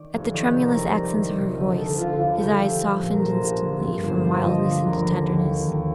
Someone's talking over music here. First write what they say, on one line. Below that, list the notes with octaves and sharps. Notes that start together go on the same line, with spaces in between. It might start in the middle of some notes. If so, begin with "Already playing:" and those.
At the tremulous accents of her voice, his eyes softened instantly from wildness into tenderness.
Already playing: D#3 D5
F1
D#3 D5
G4
C3
A#4
C2 D5
C2
D#3
C3
D2 D#5
D2 A4
D3 F4
D#2 F4
F1 G4
F3
F3
A#2
A#4
A#1 C5
A#1
D3
G2
G1 C5
F3 C5
F3 D#5
D3 D5
D#2 A#4
D#2 A4
D#2
D#3
D#2